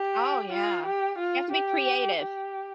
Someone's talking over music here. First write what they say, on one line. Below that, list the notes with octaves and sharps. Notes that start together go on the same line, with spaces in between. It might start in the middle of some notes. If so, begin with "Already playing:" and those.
Oh, yeah, you have to be creative.
Already playing: G4
F4
G4
F4
G4
G4